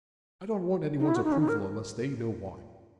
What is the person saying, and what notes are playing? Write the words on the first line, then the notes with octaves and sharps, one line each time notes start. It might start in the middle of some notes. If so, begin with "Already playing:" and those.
I don't want anyone's approval unless they know why.
D#4
E4
F#4
D#4
C#4
D#4
A#4